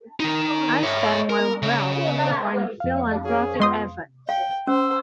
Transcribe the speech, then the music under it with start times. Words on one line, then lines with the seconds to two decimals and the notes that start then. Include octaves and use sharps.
I spend my wealth on philanthropic efforts.
0.20 D#3 D#4
0.83 C#5 E5
1.30 A#4
1.62 C#3
2.80 F2 F5
3.25 C#4 G#4
3.60 G#3 B3 F4 C6 D#6
4.29 F5 G5
4.67 C#4 C5 E6